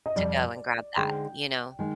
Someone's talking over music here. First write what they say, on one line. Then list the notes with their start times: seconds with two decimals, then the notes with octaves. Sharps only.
To go and grab that, you know?
0.06 D#5
0.16 F2 C3 G3 D5
0.97 D3 G#3 D#4 G#4 C5 G5
1.79 D#3 G#3 G#5